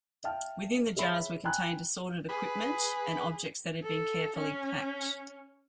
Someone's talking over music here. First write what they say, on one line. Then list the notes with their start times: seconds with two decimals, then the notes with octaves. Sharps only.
Within the jars were contained assorted equipment and objects that had been carefully packed.
0.24 E5 F5 G5 A5 F6
0.97 G#4 C#5 E5 B5
1.44 G5 G#5 A#5 B5 F#6
2.29 G#4 B4
3.83 A4
4.36 C#4